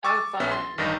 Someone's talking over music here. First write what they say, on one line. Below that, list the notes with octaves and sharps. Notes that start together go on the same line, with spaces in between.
Oh, fun.
C#6 D6 E6 A6
A#1 B3 C#4 E5
C6
A1 G2 D#3 D#4 A#6